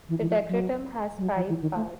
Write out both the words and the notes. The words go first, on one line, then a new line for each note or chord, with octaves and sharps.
The "Decretum" has five parts.
E3
E3
F3
F#3
G3
F#3
F3
E3
D#3
A3